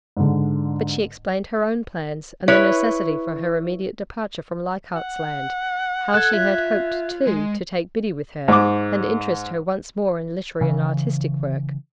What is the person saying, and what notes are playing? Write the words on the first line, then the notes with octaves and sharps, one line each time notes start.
But she explained her own plans and the necessity for her immediate departure from Leichardt's Land--how she had hoped, too, to take Biddy with her and interest her once more in literary and artistic work.
G#2 D3
E4 B4 C#5
F#5
A4 F#6 G#6
F4 E5
G#3
G#2 D6
C#3 E3